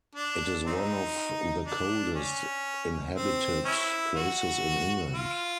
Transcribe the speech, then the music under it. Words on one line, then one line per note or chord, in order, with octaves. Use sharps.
It is one of the coldest inhabited places in England.
D4
C4 D#4
D4
C#4
C4
C#4 E4
F#4
F4